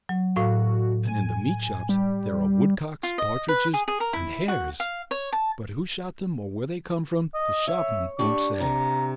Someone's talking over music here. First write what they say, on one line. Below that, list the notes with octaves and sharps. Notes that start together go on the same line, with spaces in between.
And in the meat-shops there are woodcocks, partridges, and hares, but who shot them or where they come from, the shopman won't say.
F#3
A2 F#4 F5
G#5
G3
F4
D#5
B4
G#4
G#4
A#4
E4
F#4
F5
C#5
A5
D#5
C#5 E5
D4 G4 C#6
C3 A#5